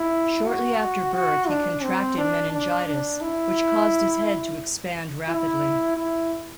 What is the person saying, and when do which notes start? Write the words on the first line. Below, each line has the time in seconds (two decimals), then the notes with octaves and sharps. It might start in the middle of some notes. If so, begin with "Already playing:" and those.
Shortly after birth he contracted meningitis, which caused his head to expand rapidly.
Already playing: E4
0.45 F#4
1.14 F#4
1.48 D4
1.83 C4
2.17 D4
2.52 D4
2.87 D4
3.21 E4
5.28 E4
5.97 E4